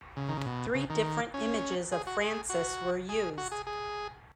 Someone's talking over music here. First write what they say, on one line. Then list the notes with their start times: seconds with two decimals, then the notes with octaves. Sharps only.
Three different images of Francis were used.
0.17 C#3
0.29 D#3
0.37 C#3
0.46 B2
0.75 C#3
0.90 D#3
1.34 C#4
1.92 G#4
2.07 F#4
2.21 G#4
2.50 F#4
3.09 G#4
3.38 F#4
3.52 G#4
3.67 G#4